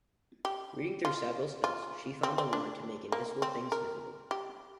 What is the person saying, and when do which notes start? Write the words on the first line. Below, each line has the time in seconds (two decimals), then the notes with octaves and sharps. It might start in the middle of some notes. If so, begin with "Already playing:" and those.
Reading through several spells, she found the one to make invisible things visible.
0.45 G4
1.05 F4
1.64 F4
2.23 C4
2.38 C4
2.53 D4
3.12 A#3
3.42 C4
3.72 A#4
4.31 G4